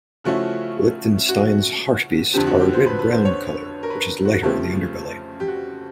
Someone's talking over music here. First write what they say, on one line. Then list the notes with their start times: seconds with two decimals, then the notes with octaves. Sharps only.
Lichtenstein's hartebeest are a red brown colour, which is lighter on the underbelly.
0.24 C#3 F3 A3 C#4 E4 F#4
1.29 F#4
2.34 F2 D3 F3 G4
2.47 F#4
2.60 G4
2.73 C5
2.86 B4
2.99 B4
3.12 C5
3.25 C#5
3.83 A#4
3.90 B4
4.25 F#4
4.43 F2 C#3 F3 A3 C4 G4
5.40 G4
5.48 F#4